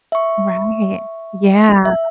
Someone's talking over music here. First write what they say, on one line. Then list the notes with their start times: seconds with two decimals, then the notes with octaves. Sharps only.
Right, yeah.
0.12 E5 C#6
1.85 E5